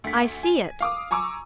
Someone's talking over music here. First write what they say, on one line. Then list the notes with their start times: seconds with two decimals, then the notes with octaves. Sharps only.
I see it!
0.04 D2 B6
0.43 G#5
0.81 F5 D6 D#6
1.11 G#5 A#5 C#6 D6 E6